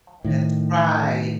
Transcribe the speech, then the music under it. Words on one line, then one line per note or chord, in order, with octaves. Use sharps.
Yes. Right.
A2 D#3